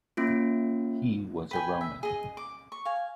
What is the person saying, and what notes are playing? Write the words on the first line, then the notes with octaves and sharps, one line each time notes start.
He was a Roman.
A#3 C#4 F4
B4 G5 G#5
E5
G#4 D#5
D6
C#6
F5 G#5